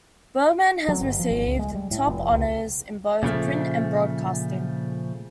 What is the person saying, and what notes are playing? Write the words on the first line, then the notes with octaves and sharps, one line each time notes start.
Bergman has received top honors in both print and broadcasting.
F#3
G1
F3
G#1
C#2
G#3
G3
A2
F1
C#2
A#2 C#3 F3 A3